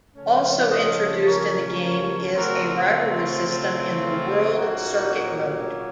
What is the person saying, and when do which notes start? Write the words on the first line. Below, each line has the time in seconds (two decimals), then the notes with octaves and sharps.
Also introduced in the game is a rivalry system in the World Circuit mode.
0.17 C#3 F3 A3 C#4
0.70 C5 D#5
1.26 A#4 C#5
1.81 A#4 C#5
2.35 C#3 A3 C4 F#4 A#4
2.90 F4
4.00 F4
4.55 A#2 F#3 A#3 C#4 D#4 F#4